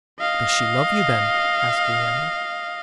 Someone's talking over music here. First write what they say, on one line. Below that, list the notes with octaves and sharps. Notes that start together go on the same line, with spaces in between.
"Does she love you then?" asked Leander.
D#5 F5